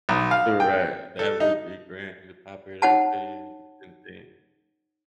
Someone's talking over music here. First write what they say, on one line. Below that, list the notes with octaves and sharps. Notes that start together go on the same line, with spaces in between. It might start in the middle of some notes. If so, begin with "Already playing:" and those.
Uh, right, that would be grand. We'd pop it open, and can think.
B1
F5
G5
A4
D#4
D#4 C#5 F#5 A5